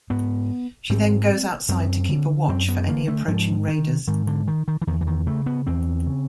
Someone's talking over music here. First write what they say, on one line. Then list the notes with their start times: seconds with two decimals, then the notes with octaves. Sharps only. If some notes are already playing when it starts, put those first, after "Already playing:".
She then goes outside to keep a watch for any approaching raiders.
0.10 G#2 B3
0.90 G#2 C4
1.69 F#2 C4
2.09 D3
2.48 F#2 C4
2.68 B3
2.88 D3 A#3
3.08 A3
3.28 G#2 F3
3.68 D#3
4.07 G#2 D#3
4.27 D3
4.48 D#3
4.68 D#3
4.81 E3
4.87 E2 D#3
5.01 E3
5.07 D#3
5.27 C#3 A3
5.46 B3
5.67 E2 C4
6.07 C#3